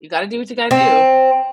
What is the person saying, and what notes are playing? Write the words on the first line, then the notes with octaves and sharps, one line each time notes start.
You gotta do what you gotta do.
C4